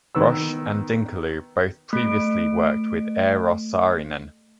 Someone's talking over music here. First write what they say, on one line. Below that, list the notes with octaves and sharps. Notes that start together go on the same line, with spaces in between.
Roche and Dinkeloo both previously worked with Eero Saarinen.
D#3 B3 E6
A3 D7